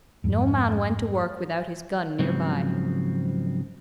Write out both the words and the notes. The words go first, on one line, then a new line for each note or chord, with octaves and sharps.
No man went to work without his gun near by.
F2 G#2
G#2 C#3 F3 F#3 C4